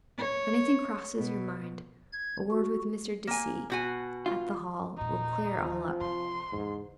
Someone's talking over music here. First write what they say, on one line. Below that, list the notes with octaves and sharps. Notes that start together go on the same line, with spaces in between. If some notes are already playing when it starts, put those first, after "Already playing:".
If anything crosses your mind, a word with Mr. De C. at the Hall, will clear all up.
C#5
B2
G#6
F#4
A#3 G#5
B2 F#4 G#5
F4
E2 A#2 D#4
D#2 F3
C3 C6
E2 G#2 C#3